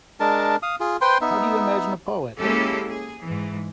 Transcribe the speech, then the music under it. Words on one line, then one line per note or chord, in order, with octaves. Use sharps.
How do you imagine a poet?
G#3 D4 A#4 A5
F5 D#6
F4 G#4
B4 C5 G5 C6
B3 D#4 E5
G#3 A#3 C#4 E4 G4 A4
G#4
G#2 E3